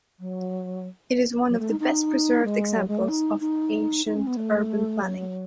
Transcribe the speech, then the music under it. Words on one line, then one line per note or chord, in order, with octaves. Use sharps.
It is one of the best preserved examples of ancient urban planning.
F#3
F#3
A3
D#4
D#4
G#3
F#3
G#3
A3
D#4
D#4
D#4
C#4
B3
A3
F#3